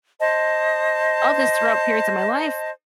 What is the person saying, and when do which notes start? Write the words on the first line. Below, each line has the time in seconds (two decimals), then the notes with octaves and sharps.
of this throughout periods of my life
0.20 C5 D#5 A5